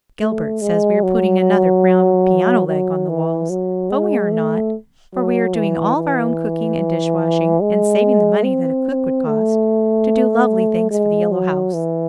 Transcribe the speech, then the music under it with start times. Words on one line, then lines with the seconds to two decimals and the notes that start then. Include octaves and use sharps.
Gilbert says we are putting another grand piano leg on the walls, but we are not, for we are doing all our own cooking and dishwashing and saving the money that a cook would cost, to do lovely things for the Yellow House.
0.20 A3
0.61 G#3
1.03 F#3
2.67 F#3
3.09 E3
3.50 F#3
3.90 G#3
4.32 A3
5.15 F#3
5.56 E3
5.96 E3
7.62 G#3
8.43 C4
9.26 A3
10.91 G#3
11.32 F#3
11.73 E3